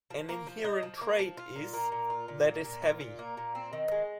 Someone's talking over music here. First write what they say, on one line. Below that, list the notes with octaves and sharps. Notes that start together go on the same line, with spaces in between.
An inherent trait is that is heavy.
F3
A#3
F3
D#4
F3
A#3
F3
F4
A#2
A#3
A#2
F4
A#2
A#3
A#2
F4
A#2
A#3
A#2
C4
D#3
G#3